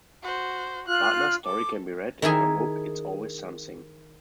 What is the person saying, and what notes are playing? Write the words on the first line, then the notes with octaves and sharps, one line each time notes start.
Radner's story can be read in her book, "It's Always Something".
F#4 C5
F4 F5 F6 F#6
A4 D6
D#3 E4 G#4 G#5